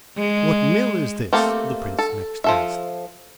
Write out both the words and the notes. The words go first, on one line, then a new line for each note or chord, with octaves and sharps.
"What mill is this?" the prince next asked.
G#3
A3 A#3 C4 G4 A4
A4
F3 A4 E5